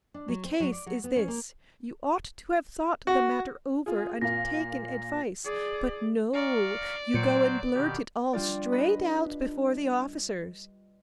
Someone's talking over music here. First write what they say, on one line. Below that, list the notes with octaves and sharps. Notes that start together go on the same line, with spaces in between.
The case is this: you ought to have thought the matter over and taken advice; but no, you go and blurt it all straight out before the officers.
D4
F#3
C4
F#3
D5
F#3
B3
C#4
A#3
F#4
F4 G#4
A#2 A#3 F5 A#6
G#4 D5
D5 F5 A#5 C#6
A#2 F#3 C5 G5 C#7 D7
B2 D#3 G4
G3 D4 F4 D5
B4 D#5 B5